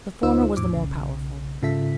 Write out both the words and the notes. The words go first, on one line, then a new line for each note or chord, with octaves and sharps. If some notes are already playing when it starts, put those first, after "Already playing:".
The former was the more powerful.
D2 D#4 F4 C5 E6
E2 A2 D6
B1 C#3
G#2 C#3 F4 A4 E5 B6